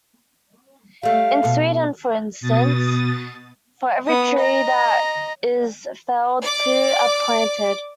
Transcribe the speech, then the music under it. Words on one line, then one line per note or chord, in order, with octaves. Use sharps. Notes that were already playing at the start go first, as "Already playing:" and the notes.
In Sweden for instance for every tree that is felled two are planted.
G3 A3 F5
B2 A4
B2 D#6 A6
B3 D#6
D#5 A#5
D5 D6